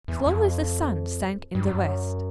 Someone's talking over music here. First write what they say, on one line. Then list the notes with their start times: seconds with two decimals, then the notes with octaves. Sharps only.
Slowly the sun sank in the west.
0.08 E2
0.26 F2
1.55 G2
1.66 F#2